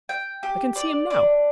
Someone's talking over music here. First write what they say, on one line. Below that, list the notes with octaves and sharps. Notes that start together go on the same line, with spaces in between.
I can see him now.
G5
G4
D5
D4